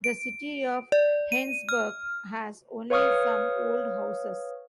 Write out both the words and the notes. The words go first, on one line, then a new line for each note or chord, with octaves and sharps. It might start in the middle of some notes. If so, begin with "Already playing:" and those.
The city of Heinsberg has only some old houses.
D7
D5
D#7
F6
B4 C#5 F5 C#6 D#6 F6